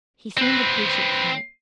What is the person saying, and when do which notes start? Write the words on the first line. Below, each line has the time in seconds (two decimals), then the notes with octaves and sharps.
He seemed impatient to-night.
0.37 C4 B4